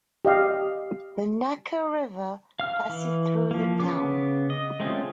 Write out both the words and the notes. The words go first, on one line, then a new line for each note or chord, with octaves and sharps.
The Naka River passes through the town.
G4 D#5 F5
F5 F6
E3
F3 A#3
C#3 B3 D6
D#5
G#3 A3 C4 C#4 F4